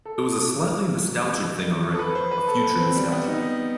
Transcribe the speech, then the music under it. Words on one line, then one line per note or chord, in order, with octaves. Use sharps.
It was a slightly nostalgic thing already, a future nostalgia.
A4
A4
B4
C5
B4
A4
B4
C4
G3
B3
D#4